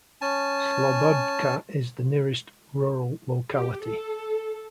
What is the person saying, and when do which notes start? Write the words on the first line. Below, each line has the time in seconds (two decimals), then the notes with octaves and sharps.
Slobodka is the nearest rural locality.
0.21 C#4 G#5 A5
3.50 G4
3.82 A4